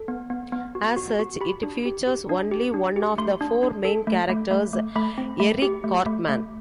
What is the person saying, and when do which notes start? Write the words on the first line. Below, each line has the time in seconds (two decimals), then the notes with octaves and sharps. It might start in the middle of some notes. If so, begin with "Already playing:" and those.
As such, it features only one of the four main characters, Eric Cartman.
Already playing: A4
0.08 B3
0.30 B3
0.52 B3
0.75 F#4
0.96 F#4
1.19 F#4
1.41 G4 B5
1.63 D4
1.85 G4
2.07 G4
2.29 D4
2.51 G4
2.74 D4
2.96 G4
3.18 A3 C6
3.41 D4
3.63 D4
3.85 A4
4.07 A3
4.29 A3
4.51 A3
4.73 A3
4.95 A3 B5
5.18 C4
5.40 A3
5.62 G4
5.84 A3
6.06 A3
6.29 A3